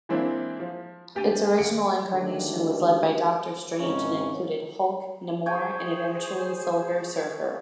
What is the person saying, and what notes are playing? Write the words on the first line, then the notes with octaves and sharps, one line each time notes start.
Its original incarnation was led by Doctor Strange and included Hulk, Namor, and-eventually-Silver Surfer.
E3 G#3 A#3 C4 D4 E4
F3
D2 G4 G5 A6 D#7
D#1 F#5 C#7 D7
D2 D#3 G#3 G4 A4
G#1 G#2 C#3 C#4 D#4
G#4 C5 C#5 G5 G#5